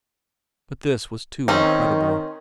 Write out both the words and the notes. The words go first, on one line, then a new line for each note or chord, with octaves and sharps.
But this was too incredible.
D#3 C4 C#4 D#4